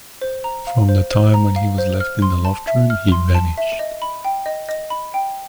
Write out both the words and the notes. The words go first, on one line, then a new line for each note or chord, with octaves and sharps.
From the time when he was left in the loft-room, he vanished.
C5
A#5
F5
C5
C5
A#5
F5
C5
F6
C6
A5
E5
F6
C6
A5
E5
D#5
B5
G5
D#5
D#5
B5
G5